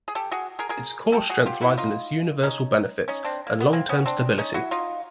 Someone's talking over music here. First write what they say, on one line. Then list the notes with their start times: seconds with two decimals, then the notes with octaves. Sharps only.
Its core strength lies in its universal benefits and long-term stability.
0.08 G#4
0.15 G4 A4
0.32 F#4 G#4
0.59 G#4 A#4
0.69 G#4 A#4
1.12 G4 A4
1.29 F#4 G#4
1.46 F4 G4
1.61 E4 F#4
1.78 D#4 F4
2.43 C#4 D#4
3.08 C#4 D#4
3.25 C4 D4
3.47 A#3
3.61 B3
3.73 A#3 C4
3.89 B3 C#4
4.06 C4 D4
4.38 C#4 D#4
4.54 E4 F#4
4.71 D#4 F4